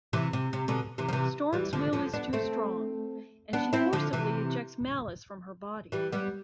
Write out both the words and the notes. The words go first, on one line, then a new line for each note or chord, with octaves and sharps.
Storm's will is too strong, and she forcibly ejects Malice from her body.
C3 E3
C3
C3
B2 D3
C3 E3
F3
C3 E3
E3 G3
D3 F3
D3 F3
B3 D4
A3 C4
B3 D4
C4 E4
D3 F3
C3 E3
E3 G3
G3 B3